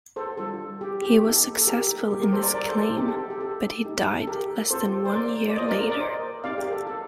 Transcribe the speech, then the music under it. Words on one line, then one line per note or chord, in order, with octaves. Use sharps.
He was successful in his claim, but he died less than one year later.
A4 C5
G3 D4 F4 A4
G4
G4
A#3 D#4 G4 A4
A4
G4 A#4
G3 A#3 D4 G4 A#4
G4 A#4
A4 C5
A#4 D5
A#4 D5
A4 C5
A4
C4 D#4 G4
A4
G4
A4
A3 D#4 G4
A4
G4 A#4
C4 F4 A4 C5
C5
A#4 D5
D5
A#3 F4 C5 D#5
A#4 D5
A#4 D5
A#4 D5
C5 D#5
C4 D#4 G4 D5 F5
G4 A#4
A4
A4